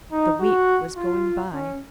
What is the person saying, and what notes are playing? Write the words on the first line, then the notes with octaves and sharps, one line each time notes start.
The week was going by.
D#4
F#4
F4
C#4